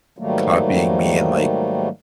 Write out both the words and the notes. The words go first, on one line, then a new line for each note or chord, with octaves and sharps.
copying me and, like,
G#2 D#3 F#3 G3 A3 A#3